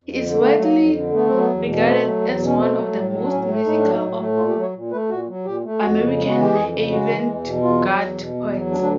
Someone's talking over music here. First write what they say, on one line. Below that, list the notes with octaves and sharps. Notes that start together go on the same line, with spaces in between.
He is widely regarded as one of the most musical of American avant-garde poets.
F2
D3
A3 B3
A#3
A3
F#3 A#3
F2
D3
A3 B3
F#3 C4
B3
E2
B2
B3
A3 C4
F#3
E2
B2
C#4
A3 C4
F#3
A2
F#3
D4
A2 C#4
A3
A2 D#4
D4
F#3
D#4
A2
A3
A#2 F4
G4
F#3
C#5
A#2
A3 B4
A#2 F#4
F#3
A#2 G4
A3
F2 F#4
C#3
G#3
F#4
E3
G4
F2 G#4
C#3
G#3 F#4
E3
E2
B2
E2 F4
F#3
E2
B2
E2
F#3
D2 D4
D4